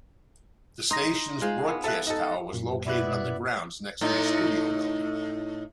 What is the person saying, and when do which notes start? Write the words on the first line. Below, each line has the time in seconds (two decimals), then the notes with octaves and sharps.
The stations' broadcast tower was located on the grounds next to the studio building.
0.91 D#4 C6 A#6
1.42 G#3 F4 C5
1.68 B3
1.84 A4 E5 F#6
2.07 D#4 A4
2.52 F#2 A#2
2.86 B2 B3 E4 D5 E5 F#6
4.01 A2 D#4